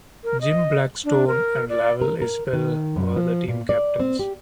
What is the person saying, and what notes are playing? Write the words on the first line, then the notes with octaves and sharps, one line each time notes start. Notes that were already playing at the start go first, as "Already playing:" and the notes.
Jim Blackstone and Lavell Isbell were the team captains.
A#4
D#5
D4
A#4
D5
A#4
A#4
D#3
F#2
F3
A#2
D5
C4
G4